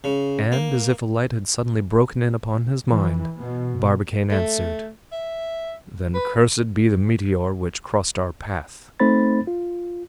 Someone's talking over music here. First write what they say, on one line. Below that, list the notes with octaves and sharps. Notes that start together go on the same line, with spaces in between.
And, as if a light had suddenly broken in upon his mind, Barbicane answered, "Then cursed be the meteor which crossed our path."
C#3
A#3
E3
B2
A3
E5
B4
A3 C4 D#4 C5 B5 A6
F4